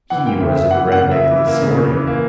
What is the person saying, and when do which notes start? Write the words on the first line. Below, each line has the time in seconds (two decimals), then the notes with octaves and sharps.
He was in the Red Bank this morning.
0.10 E3 F#5
0.25 A#3 G5
0.40 C#3 E5
0.56 C#3 E5
0.71 E3 F#5
0.86 A#3
0.92 F#5
1.01 C#3
1.11 E5
1.17 C#3
1.31 E3
1.47 A#3
1.62 C#3
1.77 C#3
1.92 E3
2.07 A#3